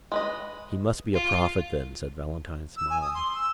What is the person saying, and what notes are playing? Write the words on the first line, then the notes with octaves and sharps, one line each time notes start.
"He must be a prophet, then," said Valentine, smiling.
G#3 B4 D#5
F4
E6
G#5
D#6
C6
E6